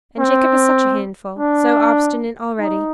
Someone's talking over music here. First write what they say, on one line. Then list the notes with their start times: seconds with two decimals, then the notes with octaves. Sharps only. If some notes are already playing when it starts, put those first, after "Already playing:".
And Jacob is such a handful; so obstinate already.
0.19 C4
1.39 D4
2.59 D#4